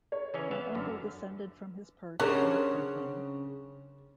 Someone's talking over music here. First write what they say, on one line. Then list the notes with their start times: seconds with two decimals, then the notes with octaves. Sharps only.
My uncle descended from his perch in a twinkling.
0.12 C#5
0.34 C#3 E3 C#4 B4
0.51 B3 E5 F5
0.75 F#2 D3
2.20 C#3 F#3 C4 D4 G4 A#4